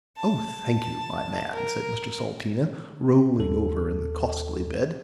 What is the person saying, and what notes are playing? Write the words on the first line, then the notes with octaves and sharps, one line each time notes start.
Oh thank you my man said Mr Salteena rolling over in the costly bed.
A5
A#4
D#2 A4